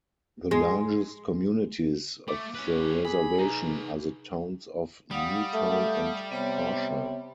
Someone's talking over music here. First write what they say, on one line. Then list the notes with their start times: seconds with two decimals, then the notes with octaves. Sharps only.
The largest communities of the reservation are the towns of New Town and Parshall.
0.51 G#3
2.28 A3 D6
2.55 C#4 B4
3.05 G#4 B5
3.38 D#4 B4 A#5
5.11 G3 F5 F#5 D#6
5.54 A3
6.32 C3 B3 C#5 B5